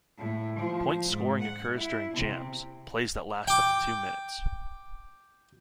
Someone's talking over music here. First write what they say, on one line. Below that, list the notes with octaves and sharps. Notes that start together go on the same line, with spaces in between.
Point scoring occurs during "jams": plays that last up to two minutes.
A2
F3
G#2
F#5
E4
C3
G5 D6